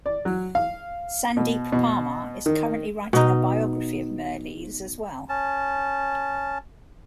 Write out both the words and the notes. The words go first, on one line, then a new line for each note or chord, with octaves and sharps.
Sandeep Parmar is currently writing a biography of Mirrlees as well.
D5
F#3
F5
B2
B2
D#3
B2 D#4
C#4 A5